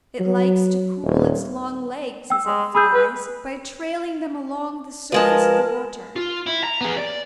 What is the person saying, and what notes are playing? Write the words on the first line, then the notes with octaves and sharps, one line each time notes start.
It likes to cool its long legs, as it flies, by trailing them along the surface of the water.
F#3
D#1
G5 E6
G#3
G#4 B5 E6 G6
B4
F3 G#3 A#4 B4 A5
F4
E4
A#5
B3 G#4
D5